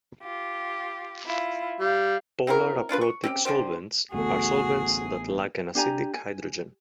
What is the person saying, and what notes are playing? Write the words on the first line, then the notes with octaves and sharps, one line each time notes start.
Polar "aprotic" solvents are solvents that lack an acidic hydrogen.
F4 G4
E4 F4
G3 F5
C4 E4 F#4 A#4
C#4 D4 F4 B4
C#6
C4 C#4 G4
D3 G3 G4 C5
A1 D2 A3 B3 F#4 G#4
D4 G4 G#5 A#5
G#5